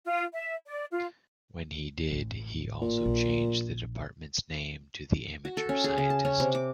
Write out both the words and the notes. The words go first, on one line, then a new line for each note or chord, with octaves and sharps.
When he did, he also changed the department's name to The Amateur Scientist.
F4
E5
D5
F4
A1
A#2
A#1
F#4
A4
C#4
G#4
C#3
A5
C#4
C3
D6